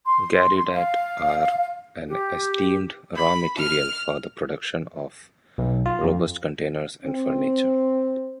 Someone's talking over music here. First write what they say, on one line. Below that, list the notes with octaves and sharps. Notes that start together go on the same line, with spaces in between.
"Garidat" are an esteemed raw material for the production of robust containers and furniture.
C6
F5
G4
B5
F6
B1
F4
F2
C4